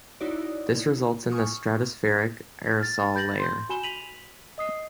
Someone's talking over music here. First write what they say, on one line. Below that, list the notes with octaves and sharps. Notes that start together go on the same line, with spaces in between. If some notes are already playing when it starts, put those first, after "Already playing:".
This results in the stratospheric aerosol layer.
D#4 E4 F#4 C#5 D5
G#5 C#6 D#6 F6
F6 A6
B5 G6 A6 A#6 F#7
C6 G6
F#4 G#5 B5 E7 G7
B6 D#7 F7 F#7
D#5 D#6 C7